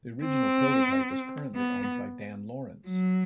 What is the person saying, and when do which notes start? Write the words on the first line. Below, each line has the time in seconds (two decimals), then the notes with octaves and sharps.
The original prototype is currently owned by Dan Lawrence.
0.24 C4
1.55 B3
2.88 F#3